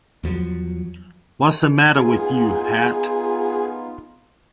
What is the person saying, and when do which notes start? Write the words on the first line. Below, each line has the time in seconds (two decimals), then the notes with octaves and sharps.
'Wassa madda wit you, hat?
0.23 E2 F3 F#3
1.95 B3 D#4 F4 G#4